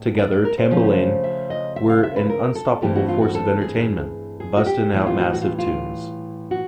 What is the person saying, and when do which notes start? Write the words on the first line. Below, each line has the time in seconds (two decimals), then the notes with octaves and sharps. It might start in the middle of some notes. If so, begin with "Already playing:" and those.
Together, Tambalane were an unstoppable force of entertainment, bustin' out massive tunes.
Already playing: A2 A3
0.18 D5
0.32 D5
0.45 A#4
0.58 C5
0.71 C#3 F3 A3 C#4
1.24 E5
1.50 D#5
1.76 E5
1.90 F5
2.03 E5
2.16 B4
2.29 A#4
2.55 A4
2.82 G2 E3 A3 C4 E4 G4
2.95 F#4
3.08 F4
3.21 F#4
3.35 A4
3.61 G#4
4.40 G#4
4.57 F#4
4.66 G4
4.93 A2 E3 G3 F#4
5.07 F4
5.20 F#4
5.33 F#4
5.42 F4
5.58 F4
6.51 F#4